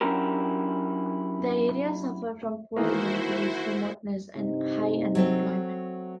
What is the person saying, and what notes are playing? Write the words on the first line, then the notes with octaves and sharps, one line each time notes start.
The area suffered from poor amenities, remoteness and high unemployment.
F#3 C#4 D4 E4 G4 A#4
D#3 E3 A#3 E4 F#4 C5
G2 C3 D#4
F#3 A3 C4